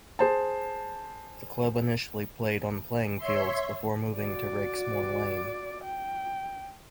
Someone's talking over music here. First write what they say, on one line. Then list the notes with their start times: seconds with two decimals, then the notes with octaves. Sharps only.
The club initially played on playing fields before moving to Rakesmoor Lane.
0.19 G#4 C5 A5
3.17 C#5 E5 C6
4.17 F#4 D5
5.84 G5